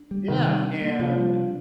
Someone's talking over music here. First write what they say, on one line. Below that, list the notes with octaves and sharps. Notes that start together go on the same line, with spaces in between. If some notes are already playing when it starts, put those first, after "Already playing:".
Yeah, and
Already playing: D4
G3
C3 D#3
G3
D4
A#3
C3 F3
G3
D4